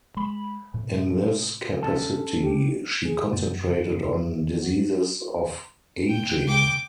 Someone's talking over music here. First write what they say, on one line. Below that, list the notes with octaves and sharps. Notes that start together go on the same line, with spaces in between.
In this capacity she concentrated on diseases of ageing.
G#3 B5
A2 C3
C#4 A4 A5
G4
G#4
F#2
F#4
G5
G5 D6